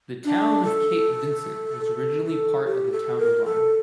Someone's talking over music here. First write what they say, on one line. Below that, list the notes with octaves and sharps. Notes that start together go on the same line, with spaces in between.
The Town of Cape Vincent was originally part of the Town of Lyme.
D4
A4
A4
A4
G4
A4
A#4
A4